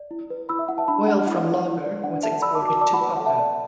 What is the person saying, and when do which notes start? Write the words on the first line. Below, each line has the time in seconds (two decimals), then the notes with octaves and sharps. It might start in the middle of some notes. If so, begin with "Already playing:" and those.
Oil from Logger was exported to Kotter.
Already playing: D5
0.11 E4
0.30 B4
0.49 E4 B5 E6
0.59 E5
0.68 E4 F#5
0.78 E5 A5
0.88 D4 F#5 B5
1.08 D4 F#5
1.27 E4 F#5
1.45 D5
1.65 E4
1.84 D5
2.03 D4 F#5
2.23 A4 E5 A5
2.42 D5 B5 E6
2.55 A5 D6
2.62 F#4
2.68 A5 D6
2.81 D5 A5 D6
2.94 F#5 B5
3.01 B4
3.07 A5
3.17 A4 F#5
3.26 E5 A5
3.39 D5